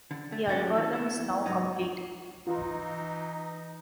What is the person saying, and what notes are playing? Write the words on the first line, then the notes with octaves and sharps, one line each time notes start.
The algorithm is now complete.
D3
A3
F#3 C#4 D4 F#4 G#4
E3
B3 E4
C#2 G#2 F#3 D#4
E3 D#4 F4